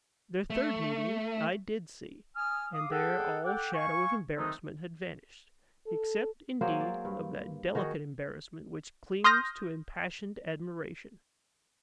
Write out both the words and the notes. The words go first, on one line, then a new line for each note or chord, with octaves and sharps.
Their third meeting I DID see; and there all shadow of embarrassment had vanished, except, indeed, of that delicate embarrassment which clings to impassioned admiration.
A3
G#5 D#6 F6
F5 D6 D#6
G#4 A4 F#5 G5
A4 F#5 G5 D6
F5 G#5 C#6
D#3 F3 G#3 A3 C4 D#4
A4
F#3 A#3 G#4 C5
D5
G2
D#3 F#4 G#4 D#5
C6 D#6 F6 G6 A#6